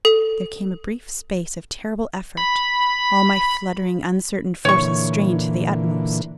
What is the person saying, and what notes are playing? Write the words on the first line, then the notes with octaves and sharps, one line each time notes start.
There came a brief space of terrible effort, all my fluttering, uncertain forces strained to the utmost.
A4
B5
A#2 D3 E3 C#5 C#6